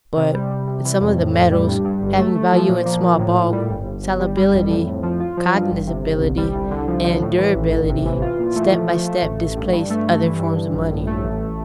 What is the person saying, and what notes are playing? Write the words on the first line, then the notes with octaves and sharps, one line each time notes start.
But some of the metals, having value in small bulk, salability, cognizability, and durability, step by step displaced other forms of money.
C3
G3
G3
C3
E3
F2
A2
A2
G3
G2
G2
G1
A3
A3
F3
A#2
A#3
A#2
A2
A2
G3
G1
G1
G1
G3
G3
F2
A2
A2
F3
F4
F3
G2
G1
C3
G1
C2
G3
C2
D3
F3
F3
A2
E3
A1
G1
C3
E3
F4
A#2
A3
F3
F3
A3
A1
A1
G2
G2
A3
G2
E3
G2
G2
A#1
A2
A3
A1